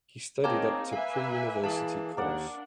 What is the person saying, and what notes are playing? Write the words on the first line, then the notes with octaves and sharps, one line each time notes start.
He studied up to Pre University Course.
A#3 C4 D#4 G#4 A#4 C#5 G5 A5
B4 E5 F5 G#5
E3 G#4 F5 A5
D#2 D4 A#4 D5 F#5